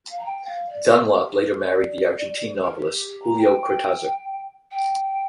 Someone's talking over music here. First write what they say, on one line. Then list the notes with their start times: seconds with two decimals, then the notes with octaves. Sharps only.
Dunlop later married the Argentine novelist Julio Cortazar.
0.09 F5
0.19 A#5
0.24 G5
0.46 F5
0.68 D5
0.91 C5
1.13 A#4
1.25 G4
1.35 G4
1.47 A#4
1.58 D5
2.62 A#4
2.78 G4
2.92 G4
3.07 G4
3.21 A#5
3.36 G5
4.71 G5